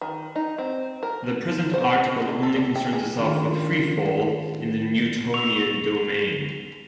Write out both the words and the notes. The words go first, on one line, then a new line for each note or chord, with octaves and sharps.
The present article only concerns itself with free fall in the Newtonian domain.
D#3
D#4
C4
A#4
C5
A#3
A4
D5
G5
G#4
D#3 C#4 D4 F4
C#6 E6 F7